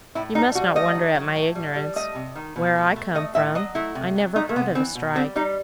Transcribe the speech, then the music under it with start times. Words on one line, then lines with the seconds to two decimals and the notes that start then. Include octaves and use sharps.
You must not wonder at my ignorance; where I come from I never heard of a strike.'
0.15 A2 E4
0.35 G3 D#4
0.55 G3 F#4
0.75 A3 D#5
0.95 D#3
1.15 F#3
1.35 A2
1.55 G3
1.76 G3
1.96 A3 D#5
2.15 C3
2.36 D#3
2.56 B2
2.75 A3
2.96 A3
3.15 A3 D#5
3.35 A2 E5
3.55 F#3 D#5
3.75 A3 E4
3.95 C3
4.16 F#3
4.36 A3 D#4
4.49 A3
4.56 C3 B3
4.75 E3 C4
4.95 B2
5.15 G3 C4
5.36 G3 D#4